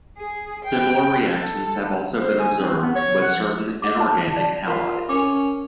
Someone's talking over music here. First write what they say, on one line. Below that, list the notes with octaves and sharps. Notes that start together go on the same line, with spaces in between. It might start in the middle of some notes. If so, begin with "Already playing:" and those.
Similar reactions have also been observed with certain inorganic halides.
G#4
G5
A4
C5
G#5
C4
B3
C#5
F#5
F3
D#5 F#5 D6
A5
D5 A5
F4 A#4 F5
C#4 A#4 D6